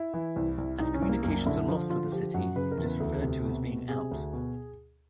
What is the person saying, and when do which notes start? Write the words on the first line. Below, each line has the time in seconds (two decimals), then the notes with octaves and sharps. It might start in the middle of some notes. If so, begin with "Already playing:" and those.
As communications are lost with a city, it is referred to as being out.
Already playing: E4
0.14 E3
0.36 C2
0.58 C2
0.79 C2 D#4
0.94 C#4
1.02 C2
1.09 A#3
1.23 F#2 A#3
1.46 D3 E4
1.68 F3
1.90 D3 F4
2.12 F3 G4
2.34 F#2 F#4
2.56 C#3 B4
2.71 A#4
2.78 E2
2.86 B4
3.00 D2 A4
3.22 C3
3.45 B2
3.66 B2
3.88 C3 G#4
4.11 D2
4.33 B2